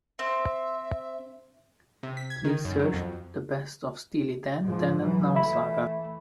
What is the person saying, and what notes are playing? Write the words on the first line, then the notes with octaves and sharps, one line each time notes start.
Please search The Best of Steely Dan: Then and Now saga.
C4 E5
C3
B6
G#6
D#3
F#2
F#3
F2
G#2 F3
E3 F#3
E3 A3 E5 B5